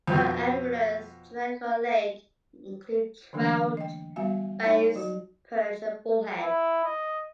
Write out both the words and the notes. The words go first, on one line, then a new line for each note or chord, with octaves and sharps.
For anglers, Chenango Lake includes trout, bass, perch and bullhead.
F2 B2
D3 E3 F#3 A3 A#3 D4
D#5 G5
G3 B3 F#4 E5 F5 G#5
D#4 E4 C#5 G5 A5
F#3 F#4
E4
D#5